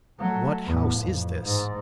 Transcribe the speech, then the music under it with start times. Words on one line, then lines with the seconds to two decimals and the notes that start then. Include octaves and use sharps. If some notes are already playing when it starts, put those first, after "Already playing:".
"What house is this?"
0.19 F#3 A3
0.66 E2 A2
0.99 A1 F2
1.43 G#2